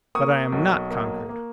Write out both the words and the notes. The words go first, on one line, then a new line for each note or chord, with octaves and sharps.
But I am not conquered!
A#3 C#6 D#6
B1
A#3
A#3